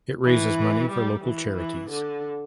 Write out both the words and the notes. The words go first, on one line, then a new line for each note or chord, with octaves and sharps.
It raises money for local charities.
E3
G3
E3
E3
D3